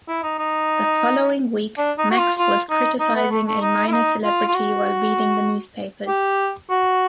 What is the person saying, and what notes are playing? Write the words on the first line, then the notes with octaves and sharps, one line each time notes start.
The following week Max was criticising a minor celebrity while reading the newspapers.
E4
D#4
D#4
D4
D#4
F#4
F4
F4
D#4
D#4
B3
A3
A3
D#4
E4
D#4
F4
F4
F#4
G4
F#4